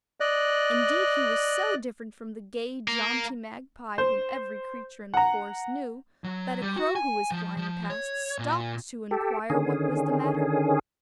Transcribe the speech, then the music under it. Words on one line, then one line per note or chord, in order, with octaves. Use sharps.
Indeed he was so different from the gay, jaunty magpie whom every creature in the forest knew, that a crow who was flying past, stopped to inquire what was the matter.
D5 D#5 F#6
A#3
C5
F#5 A#5
F#3
G3
F#4
G#5
F3
F3
C#5
A#2
G4 A4
D3 D#3 C#4 G#4